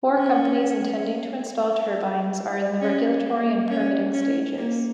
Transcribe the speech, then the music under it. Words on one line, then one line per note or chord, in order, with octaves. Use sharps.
Four companies intending to install turbines are in the regulatory and permitting stages.
C#4
C#4
A#3
C#4
C#4
A#3